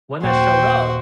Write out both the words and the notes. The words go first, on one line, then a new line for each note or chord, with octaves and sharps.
when that showed up,
D#1 A#2 A#3 F#4 C5 G5